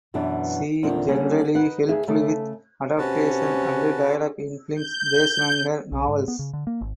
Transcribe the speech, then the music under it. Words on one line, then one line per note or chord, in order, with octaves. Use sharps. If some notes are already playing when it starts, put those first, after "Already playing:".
She generally helped with adaptation and dialogue in films based on her novels.
F#2 B2 E3 B3 D4
E2 A#2 D3 D#3 C4 D4
D3 G3 A#3 C#4
D#4 B4 F#5
D2 G#4 E5 F5
C#3 A3 A4
C3 C#4 F#4 B4 A5
G6
B1
G#2
B3
C#3
D3
A#3
G#1